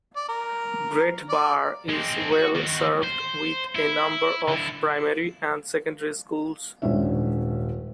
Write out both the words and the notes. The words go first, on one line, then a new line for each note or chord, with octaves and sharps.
Great Barr is well served with a number of primary and secondary schools.
D5
A#4
D5
G#3 C4
F#4
D#3 F#4
C5
E4
D3 E4
D#1 G#2 C#4 D4 E5